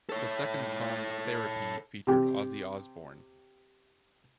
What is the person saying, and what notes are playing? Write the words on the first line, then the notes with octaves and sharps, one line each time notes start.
The second song "Therapy" featured Ozzy Osbourne.
A4 C#5
C3 G4